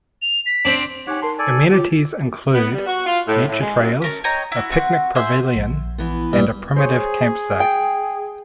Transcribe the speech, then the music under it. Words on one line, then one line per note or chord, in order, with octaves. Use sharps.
Amenities include nature trails, a picnic pavilion and a primitive campsite.
F7
B6
C4 D4
D#4 G4 C#5 F#5 G#5
A#4 A5 C6
A4 D5 G#5
F4 G4 C#5
B3
G3
F#4
F4
A2
A2
G#3
F#2
C#4 A#4 A5
C#5 D#5 G5 A#5
E4 F#4
C4 F#4 F#5
G#4 C5 E5
A#1
E3 B3
G2
G#4 C5 C#5
G5